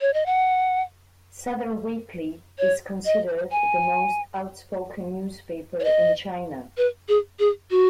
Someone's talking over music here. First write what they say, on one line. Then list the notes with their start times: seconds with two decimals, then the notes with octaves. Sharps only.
"Southern Weekly" is considered the most outspoken newspaper in China.
0.01 C#5
0.14 D#5
0.26 F#5
2.58 C#5
3.05 D#5
3.51 G#5
5.80 C#5
5.84 D#5
6.77 B4
7.08 G#4
7.39 G#4
7.71 F#4